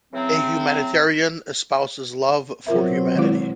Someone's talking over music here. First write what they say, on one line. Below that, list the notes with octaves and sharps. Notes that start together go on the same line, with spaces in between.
A humanitarian espouses love for humanity.
C#3 E3 F#3 C4
B2 F#3 C4 F4 A#4 E5
D#3 G#3 E4